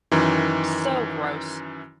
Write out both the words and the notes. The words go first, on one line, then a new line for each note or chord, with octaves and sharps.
So gross.
F#2 D#3 E3